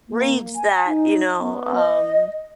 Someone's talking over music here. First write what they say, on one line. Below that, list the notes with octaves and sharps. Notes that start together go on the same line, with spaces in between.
Reads that, you know, um
A#3
G#5
D#4
B3
D#5